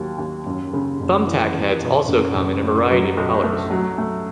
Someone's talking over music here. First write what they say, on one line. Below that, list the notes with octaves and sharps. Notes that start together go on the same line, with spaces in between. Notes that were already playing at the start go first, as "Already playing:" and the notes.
Thumb tack heads also come in a variety of colors.
Already playing: D#2 D#3 F#3
D#2
F#2
C#3
F#1
E3
E2
B2
F#1
F#1
A2
F#3
B1
A3
F#3
A3